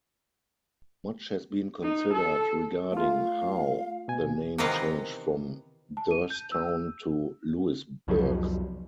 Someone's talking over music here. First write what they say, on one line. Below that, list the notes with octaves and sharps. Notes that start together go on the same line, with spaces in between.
Much has been considered regarding 'how' the name changed from Derrstown to Lewisburg.
D#4
A4
A3 F4 F5
B2 G#5
C3 D#3 E3 B3 D#5 F5
A5
D#7
G6
E6
C2 F2 F3 F#3